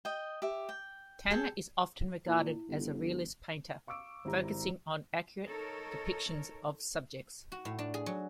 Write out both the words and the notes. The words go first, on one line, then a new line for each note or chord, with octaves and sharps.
Tanner is often regarded as a realist painter, focusing on accurate depictions of subjects.
D#5 G5
G4 E5
G5
G#4 A4 G5
A#2 E4
G1
F5 C#6 D6 E6 D7
G#1 E4 G4 A#5
D#4 A4 A#4 C#5
F#4
A2
D4
G#4
F#3